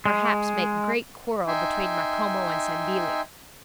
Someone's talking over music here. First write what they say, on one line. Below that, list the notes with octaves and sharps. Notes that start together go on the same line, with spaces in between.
Perhaps make great quarrel between Macomo and Sandilli.
G#3
D#4 E5 G5 G#5 C6